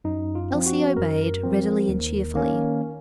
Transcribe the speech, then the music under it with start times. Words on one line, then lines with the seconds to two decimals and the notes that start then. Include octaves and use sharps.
Elsie obeyed, readily and cheerfully.
0.04 F#2 D#4
0.35 F4
0.51 F3 C4
0.66 F#4
0.97 F#2 A#4
1.43 F3 C4
1.89 D#2
2.35 D#3 A#3 C#4